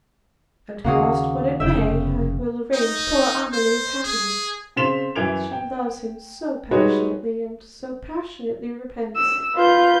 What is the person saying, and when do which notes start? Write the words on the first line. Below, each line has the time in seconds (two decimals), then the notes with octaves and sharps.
And cost what it may, I will arrange poor Amelie's happiness, she loves him so passionately, and so passionately repents.
0.84 D#2 C#3 A#3 F#4 G#4
1.60 F1 C#3 E5 G5
2.73 D#4
3.53 C5
4.04 G#4
4.76 C#3 C4 C6 B6 E7 F7
5.16 F#2 E3 G#6 D7 F7
5.52 G5
6.71 G3 G#3 D#4 F#4 B4 C#5
9.16 E6
9.56 F4 B4 G6